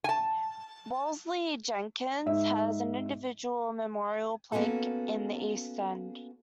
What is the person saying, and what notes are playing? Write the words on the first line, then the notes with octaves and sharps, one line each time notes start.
Wolseley-Jenkins, has an individual memorial plaque in the east end.
G#5 A5
G#2 E5
A#3 B3 C#4 F#4 A4